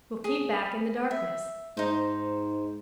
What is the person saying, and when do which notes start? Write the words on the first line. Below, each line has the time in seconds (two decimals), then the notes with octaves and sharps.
We'll keep back in the darkness.
0.24 G#4
1.11 E5
1.77 G#2 D#4 C5